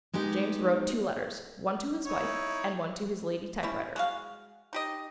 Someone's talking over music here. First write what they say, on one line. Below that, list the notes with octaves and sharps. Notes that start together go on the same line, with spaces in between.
James wrote two letters, one to his wife and one to his lady typewriter.
G#3 B3 D#4 G4
D#4 E4 C#5
G3 C#4 E4
G#3 F#4 F5
D#4 G4 D#5